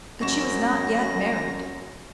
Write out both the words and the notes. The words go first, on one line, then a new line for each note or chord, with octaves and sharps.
But she was not yet married.
A1 F#2 C#6 A#6 E7